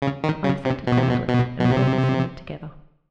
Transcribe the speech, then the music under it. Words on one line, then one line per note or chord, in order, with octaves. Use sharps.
I assented gladly, and we all descended together.
C#3
D#3
C#3
C3
B2
C3
B2
B2
B2
C3